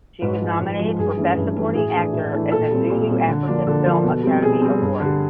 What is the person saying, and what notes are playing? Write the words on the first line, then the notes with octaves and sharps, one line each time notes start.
She was nominated for Best Supporting Actor in the Zulu African Film Academy Awards.
G#2 B4
F3 G#3
G#2
F3 G#3
G2 G#4
E3 A3 C#4
G2
E3 A3 C#4
A2 G#4
E3 A3 D4
A2
E3 A3 D4
A#2 A4
G3 C4
A#2
G3 C4
D3
F3 A#3 D4
D3 A4
F3 A#3 D4
B2
G3 C4
B2 G#4
G3 C4
G2
D3 G3